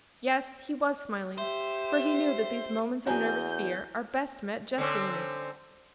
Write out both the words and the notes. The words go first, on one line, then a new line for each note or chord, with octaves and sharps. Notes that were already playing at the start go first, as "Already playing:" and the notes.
Yes, he was smiling; for he knew that these moments of nervous fear are best met jestingly.
G4 C5 E5
E2 C#4 D4 F#4 G#4 A#5 G6
D3 C4 C#4